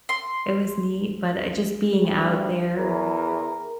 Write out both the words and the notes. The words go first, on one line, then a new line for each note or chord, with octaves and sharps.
It was neat. But I just being out there,
C6
D2 G3
E2 A#4